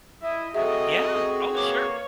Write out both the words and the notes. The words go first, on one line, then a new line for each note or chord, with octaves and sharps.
Yeah. Oh, sure.
E4 D#5 E5
C4 F#4 G#4 A4 D#5 E5 A#5
A#3 B4 C#5 D6